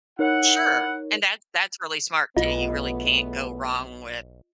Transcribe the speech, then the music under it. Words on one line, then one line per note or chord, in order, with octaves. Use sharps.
Sure. And that that's really smart too, you really can't go wrong with
D#4 E4 A#4 C#5 F#5
B1 E2 A3 B3 F4 D#5